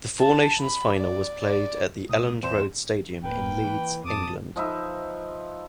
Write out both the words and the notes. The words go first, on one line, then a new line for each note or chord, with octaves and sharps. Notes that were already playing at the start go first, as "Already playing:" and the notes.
The Four Nations Final was played at the Elland Road stadium in Leeds, England.
A5
B5
D5
D5
C2 A2 D#6
E2 C4 C5 E7
D1 A#3 B4 G5
E3 B4
F2 A5 D6 D#6
F3 D#4 B4 E5